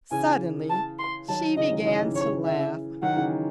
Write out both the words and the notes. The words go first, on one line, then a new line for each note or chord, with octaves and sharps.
Suddenly she began to laugh.
C#3 E3 G#5
A5
C6
D#3 F#3 A5
C#3 E3 D#5
D#3 F#3
C#3 E3 D#5
C#3 E3
C#5
C#3 E3
E5
D#3 F#3 F#5
C#3 E3